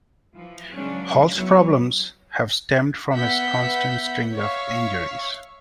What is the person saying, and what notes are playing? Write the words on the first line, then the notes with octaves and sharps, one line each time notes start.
Hall's problems have stemmed from his constant string of injuries.
E3 F3
C#3 E3 F#3 G#3 C#4 D4
F#3 B3 E4 C#5
B3 E5 F#5 G6 B6
C#5 E5 F5 C#6